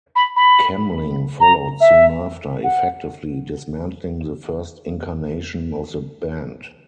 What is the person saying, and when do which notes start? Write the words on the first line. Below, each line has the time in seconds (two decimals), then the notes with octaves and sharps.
Kemling followed soon after, effectively dismantling the first incarnation of the band.
0.15 B5
0.36 B5
1.40 A#5
1.80 E5
2.63 F#5